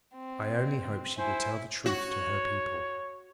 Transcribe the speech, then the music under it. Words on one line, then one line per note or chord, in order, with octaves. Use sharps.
I only hope she will tell the truth to her people.
C4
E4 C5 G#5
F#4 C#5